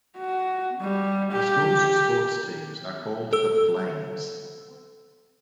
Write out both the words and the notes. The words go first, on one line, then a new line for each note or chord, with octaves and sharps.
The school's sports teams are called the Flames.
F#4
G3
G4
A4 E6